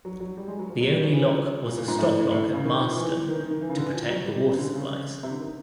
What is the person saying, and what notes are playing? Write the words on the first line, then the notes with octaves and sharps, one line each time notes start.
The only lock was a stop lock at Marston, to protect the water supplies.
F#3
F#3
G3
G#3
F#3
F3
F#3
G3
F3
E3
F3
A#2
A#2
G#2
A2
A2
C#3
D#3
F3
E3
D#3
D#3
D#3
E3
C#3
D3
E3
F3
F#3
G3
G3
C#3
D3
C#3
C3
D3
D#3